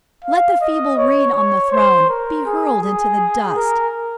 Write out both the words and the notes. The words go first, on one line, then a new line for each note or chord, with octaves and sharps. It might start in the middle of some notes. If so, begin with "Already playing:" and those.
Let the feeble reed on the throne be hurled into the dust!
F5
D#5
C#5
C#5
C5
A#4
G#4
G#4
A#4